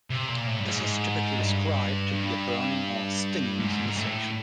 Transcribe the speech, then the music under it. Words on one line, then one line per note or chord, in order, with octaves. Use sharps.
This is typically described to be a burning or stinging sensation.
C3
A#2
A2
G2
G#2
G2
G2
G#2
G#2
A2